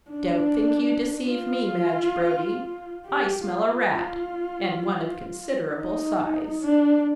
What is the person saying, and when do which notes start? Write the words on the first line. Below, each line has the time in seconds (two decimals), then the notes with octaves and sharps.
"Don't think you deceive me, Madge Brodie--I smell a rat, and one of considerable size."
0.11 D4
1.29 F4
3.07 G4
3.51 F4
5.72 D#4
6.61 D4